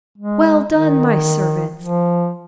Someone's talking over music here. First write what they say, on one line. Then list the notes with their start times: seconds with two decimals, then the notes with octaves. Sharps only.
'Well done, my servants!
0.18 G#3
0.71 D#3
1.80 F3